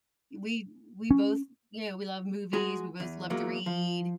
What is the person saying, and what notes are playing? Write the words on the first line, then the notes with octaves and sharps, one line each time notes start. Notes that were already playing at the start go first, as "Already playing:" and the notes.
we we both, you know, we love movies, we both love to read,
C#4
G#3 F#4 G#4
E2
E2 G#2 F#3 A#3
F3